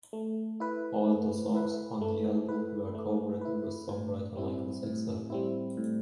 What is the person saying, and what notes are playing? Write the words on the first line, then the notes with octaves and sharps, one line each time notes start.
All the songs on the album were co-written with songwriter Michael Saxell.
A3
E4 B4
A3
E4 B4
A3
E4 B4
A3
E4 B4
A2
G3 C4 E4
A2
G3 C4 E4
A2